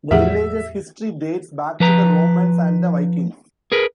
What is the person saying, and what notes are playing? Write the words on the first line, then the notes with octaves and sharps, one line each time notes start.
The village's history dates back to the Romans and the Vikings.
E2 A2 F3 G4 G#4 E5 F#5
F3 B4 A#5
G#4 A#4 B4